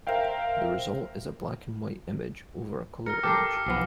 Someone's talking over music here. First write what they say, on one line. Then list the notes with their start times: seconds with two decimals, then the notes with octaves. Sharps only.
The result is a black-and-white image over a color image.
0.07 A#4 C5 E5 F5 G5
3.06 A#4 F6 A#6 C#7
3.23 G4 A4 A#4 D6 C7
3.67 B1 F3 B3